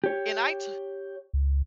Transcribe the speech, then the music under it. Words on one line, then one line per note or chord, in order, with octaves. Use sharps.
And I to
G4 C#5
C#2